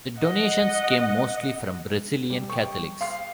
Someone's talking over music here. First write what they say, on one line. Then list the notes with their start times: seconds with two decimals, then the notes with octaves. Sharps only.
The donations came mostly from Brazilian Catholics.
0.19 D#5 F#5
2.30 G3
2.50 G5 C#6
3.01 F5 C6 C7